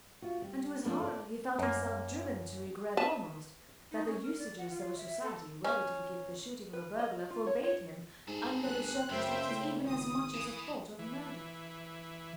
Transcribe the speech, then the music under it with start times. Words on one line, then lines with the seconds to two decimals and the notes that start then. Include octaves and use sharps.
And to his horror he felt himself driven to regret almost that the usages of a society ready to forgive the shooting of a burglar forbade him, under the circumstances, even as much as a thought of murder.
0.22 F4 F#4
0.42 G3
0.85 F3 A#3 C#4 D4
0.99 A4 A#4 D5
1.59 F#2 A#3
2.97 B4 E5 A5
3.92 D#4
4.07 C#4
4.23 A#4
4.38 D5
4.58 F#5
4.70 F4
4.97 E5
5.23 A4
5.64 C#4
6.73 B4
6.99 D#5
7.30 F4
7.47 C#5
7.63 C#5
8.28 G#2 G#4 A4
8.63 G1 F#6
9.09 C#2 F#2 C5 E5 G5
9.50 A2
9.86 G#1 D#6
10.34 E3
10.99 E3